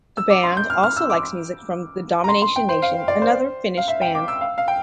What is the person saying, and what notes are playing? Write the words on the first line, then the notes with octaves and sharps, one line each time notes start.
The band also likes music from The Domination Nation, another Finnish band.
E6
D6
C6
G6
F6
F6
E6
D6
A#5
C6
C6
G5
C5
F5
D5
C5
F5
E5
G5
D6
E6
F5
F5
G5